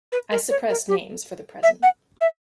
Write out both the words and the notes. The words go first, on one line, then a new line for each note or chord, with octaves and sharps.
I suppress names for the present.
B4
A#4
C#5
A#4
G4
E5
F#5
E5